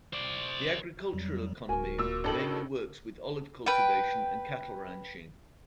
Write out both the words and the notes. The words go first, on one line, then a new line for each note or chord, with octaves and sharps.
The agricultural economy mainly works with olive cultivation and cattle ranching.
C5 D5
F2 F#3 G3
D1 F#4 A#4 G#5
A#2 E6
A1 D4 A4 G5 F#7
B4 G5